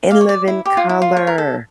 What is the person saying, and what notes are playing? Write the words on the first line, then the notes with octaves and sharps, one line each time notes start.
In Living Color.
D5 F5
C#5
D5
E4
G4
F4
E4
F4
C#5
A#4
A4